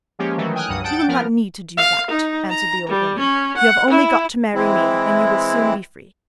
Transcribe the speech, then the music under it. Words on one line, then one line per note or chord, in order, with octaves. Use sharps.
'You will not need to do that,' answered the old woman, 'you have only got to marry me, and you will soon be free.'
F3 G#3 A#3 C#4 G4
D#3 E3 F#3 A3
G5 G#5 D#6 F6 F#6
C#2 G2 F#3 F#5 D#6
F#5 G5 A5 G6 A6 D7
F3 B3 A#4 F6
F5
D#4
A#5
G3
C#4
F#5
E4
E3 G#3 C4 E4